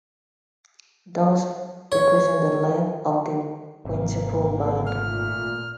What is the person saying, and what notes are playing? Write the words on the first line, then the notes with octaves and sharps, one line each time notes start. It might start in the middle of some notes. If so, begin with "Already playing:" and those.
Thus, decreasing the length of the quintuple bond.
C#5
G#1 C3 A#3
A#2 A3 F6